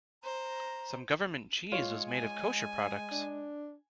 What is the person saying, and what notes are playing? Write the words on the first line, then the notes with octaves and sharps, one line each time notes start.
Some government cheese was made of kosher products.
C5 A#5
G#3 F4 C#5
G#5
D4